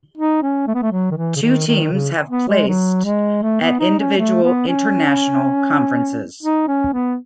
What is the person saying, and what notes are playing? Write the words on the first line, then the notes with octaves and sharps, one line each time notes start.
Two teams have placed at individual international conferences.
D#4
C#4
A3
B3
A3
F#3
D#3
E3
C#3
D#3
D#3
C#3
B3
G#3
F#3
G#3
A3
B3
D#4
C#4
A3
B3
C#4
D#4
C#4
B3